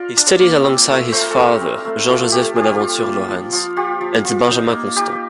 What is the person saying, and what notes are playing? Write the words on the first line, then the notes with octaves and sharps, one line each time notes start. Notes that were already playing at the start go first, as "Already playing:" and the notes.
He studies alongside his father, Jean-Joseph Bonaventure Laurens and Benjamin-Constant.
Already playing: F4 A#4 D5
D4
A#3
C4
A3
A3 C5
A#4
A4
C4 G4 A#4
C4
A3
A3 F4 A4
A3 G4
F4 G4
F4
A#3
F3
F3 F4
F4 G4
F3
F4
D#4
A#3
D#4 G4